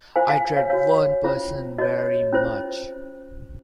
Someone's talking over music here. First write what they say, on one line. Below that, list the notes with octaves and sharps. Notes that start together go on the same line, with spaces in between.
I dread one person very much.
F4 C5 F5 G#5
F5 G#5
C#5 F5
F#4 C#5 F5
C#4 F4 C5
F#4 C#5 D#5
C#4 F4 C5